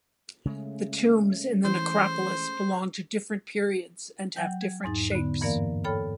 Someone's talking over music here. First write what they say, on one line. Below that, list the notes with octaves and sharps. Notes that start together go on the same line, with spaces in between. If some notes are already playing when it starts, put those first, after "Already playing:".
The tombs in the necropolis belong to different periods and have different shapes.
C#3 G#3 A3
E3 C5
F#3 F#5 G5 G6
G#6
E2 G#2 D#4 A6
D3 B3
G2 E3 A#3 A#4 D5 F5
A4 C#5 G5 B5 F6